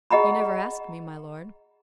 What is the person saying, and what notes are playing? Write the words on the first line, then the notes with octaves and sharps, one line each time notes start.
"You never asked me, my lord."
G#4 D#5 F#5 A#5 B5